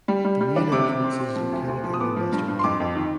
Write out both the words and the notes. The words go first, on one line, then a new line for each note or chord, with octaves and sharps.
The main entrance is located in the western gable.
G3
G3
G3
D4
C3 D6
C3
C4
C4
F3
D2
D2
F3
D#6
B3 D6
F3
G2
G2
C6
F2 D6
F2
D#3